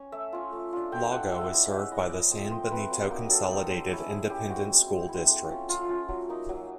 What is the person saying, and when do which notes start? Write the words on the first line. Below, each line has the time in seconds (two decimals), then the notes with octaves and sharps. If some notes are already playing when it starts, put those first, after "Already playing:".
Lago is served by the San Benito Consolidated Independent School District.
Already playing: C#4
0.12 A3 E5
0.32 C#4 F4
0.53 A3
0.73 D4 F4
0.92 A3 G5
1.11 D4 F4 F#5
1.32 G#3 E5
1.51 C#4 E4 D#5
1.71 G#3 E5
1.91 C#4 E4 D#5
2.03 D5
2.11 F3 D#5
2.31 A3 C4 D#5
2.51 F3 C5
2.70 A3 C4 B4
2.91 F#3
3.11 A#3 D#4
3.30 F#3 A4
3.50 A#3 D#4
3.70 G#3
3.90 C#4 E4
4.09 G#3 G#4
4.30 C#4 E4 G4
4.50 G#3 F#4
4.69 C4 E4
4.89 G#3
5.09 C4 E4
5.29 A3
5.49 C#4 F4
5.69 A3 F4
5.89 C#4 F4
6.09 F#3
6.29 A#3 D#4
6.49 F#3